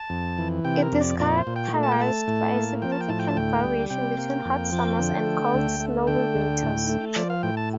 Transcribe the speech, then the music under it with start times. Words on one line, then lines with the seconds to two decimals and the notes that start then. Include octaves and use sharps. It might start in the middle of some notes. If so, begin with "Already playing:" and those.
It is characterized by a significant variation between hot summers and cold, snowy winters.
Already playing: A5
0.10 F2
0.38 E3
0.65 C3 G5
0.82 A#4
0.92 F2
1.01 D5
1.20 A#2 D5
1.38 C5
1.47 A#2
1.56 G5
1.74 A3
1.83 A5
1.92 G5
2.01 A3 A5
2.28 A2
2.54 A#3
2.82 F3 G5
2.92 A5
3.01 G5
3.09 A2 A5
3.19 G5
3.28 A5
3.36 D2 G5
3.64 G3
3.90 C3 G5
4.18 A#3
4.45 F2
4.72 F3
4.99 D3
5.27 A3
5.54 D2
5.80 A3
6.07 D3 G5
6.35 D2
6.63 A2
6.89 A3
7.16 F3 D5
7.30 F5
7.43 A2 G5
7.57 A5